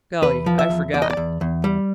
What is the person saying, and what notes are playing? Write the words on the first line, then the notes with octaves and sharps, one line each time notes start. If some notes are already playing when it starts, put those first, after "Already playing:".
Golly, I forgot.
E2 B4
F3
E5
E2
E2 D5
D#5
D5
E2
E2
G3